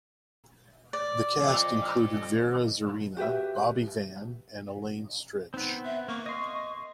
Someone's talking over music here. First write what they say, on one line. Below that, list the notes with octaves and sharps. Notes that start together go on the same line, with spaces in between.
The cast included Vera Zorina, Bobby Van, and Elaine Stritch.
D5
F2
F#4 G4 B4 E5
B3 C4 D#4
E5
A#3 C#6
D#5 C6